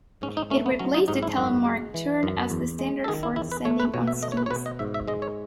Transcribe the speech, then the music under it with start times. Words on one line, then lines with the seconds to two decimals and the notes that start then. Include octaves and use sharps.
It replaced the Telemark turn as the standard for descending on skis.
0.22 G#2 C#4
0.37 D#4
0.50 A3 C#4
0.66 B3
0.79 F#3 C#4
0.94 D#4
1.08 G#2 D#4
1.23 E4
1.37 F#2 F#4
1.65 G#3
1.94 E3
2.23 F#2
2.50 E2
2.79 G#3
3.04 A4
3.08 D#3 G#4
3.23 E4
3.36 E2 E4
3.52 B4
3.65 A3 C#5
3.80 B4
3.94 B2 C#5
4.08 E5
4.23 A3 D#5
4.32 C#5
4.37 B4
4.46 C#5
4.50 B2 B4
4.66 D#5
4.79 G#2 E5
4.94 E5
5.08 G#3 D#5
5.22 C#5